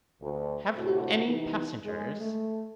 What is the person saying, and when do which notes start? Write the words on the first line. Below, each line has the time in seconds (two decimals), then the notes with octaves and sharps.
"Have you any passengers?"
0.22 D2
0.76 D2 A2 C3 F#4
1.27 C3 E3 B3 D#4
1.85 G#3
2.21 A3